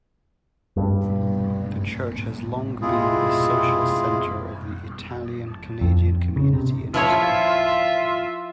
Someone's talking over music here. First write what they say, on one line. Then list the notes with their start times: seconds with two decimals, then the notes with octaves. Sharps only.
The church has long been the social centre of the Italian-Canadian community in Ottawa.
0.76 G2
2.82 C3 G#3 E4 F4 G#4
5.81 F2
6.36 C#3
6.53 C3
6.94 F3 E4 F4 C#5 E5